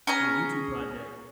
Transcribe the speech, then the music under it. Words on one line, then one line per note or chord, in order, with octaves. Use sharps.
for the YouTube project,
C#4 G#4 A#5